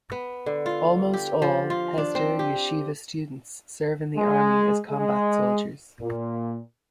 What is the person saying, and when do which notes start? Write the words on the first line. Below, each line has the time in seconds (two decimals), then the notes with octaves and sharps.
Almost all Hesder Yeshiva students serve in the army as combat soldiers.
0.12 B3
0.46 D3
0.66 F4
1.13 G4
1.42 F3
1.70 F4
1.98 D4
2.15 C4
2.39 G4
4.17 G#3
4.90 G#3
6.01 A#2